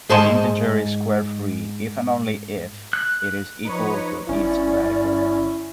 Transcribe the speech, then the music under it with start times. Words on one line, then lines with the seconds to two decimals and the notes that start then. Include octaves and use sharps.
An integer is square-free if and only if it is equal to its radical.
0.09 G#2 G#4 C5 G#5 A5 C6
2.93 F#6
3.65 F3 D#4 B4 C#5
4.29 G1 C#4 E4 D5